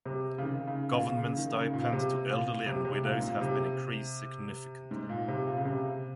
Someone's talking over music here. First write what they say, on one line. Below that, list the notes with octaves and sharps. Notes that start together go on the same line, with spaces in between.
Government stipend to elderly and widows have been increased significantly.
C3
C#3
D#3
C#3
A#2
C#3
D#3
C#3
A#2
C3
A#2
C3
C3
A#2
G#2
A#2
C3
G#2
A#2
C3
A#2
C#3
C3